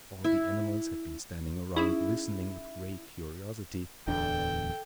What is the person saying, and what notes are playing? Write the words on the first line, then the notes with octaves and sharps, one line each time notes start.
All the animals had been standing around listening with great curiosity.
E4
C#4 D#4 E4 G#4
D1 E2 D4 A4 G5